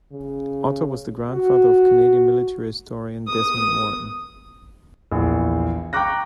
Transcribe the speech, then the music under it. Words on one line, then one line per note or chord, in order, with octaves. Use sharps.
Otter was the grandfather of Canadian Military historian Desmond Morton.
C#3
F#4
D#6
A#1 E2
G5 A#5 C#6 D6 F#6 A#6